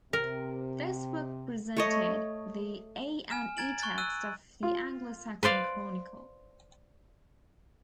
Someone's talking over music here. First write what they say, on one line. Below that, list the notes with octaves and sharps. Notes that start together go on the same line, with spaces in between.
This work presented the A and E texts of the "Anglo-Saxon Chronicle".
C3 A#4
A3 C#5 D#5
G#5 F6 E7
G#5 A#5 G#6 A6 D7 F#7
C#6 F#6 G#6 A6
E6 F#6 D#7
F4
B4 C5 D5 F5